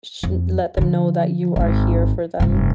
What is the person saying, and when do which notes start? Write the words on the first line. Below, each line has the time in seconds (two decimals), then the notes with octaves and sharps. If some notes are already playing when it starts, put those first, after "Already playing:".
sh let them know that you are here for them.
0.23 F2
0.77 D3 F3
1.56 G#1 G#2
2.40 F1 G2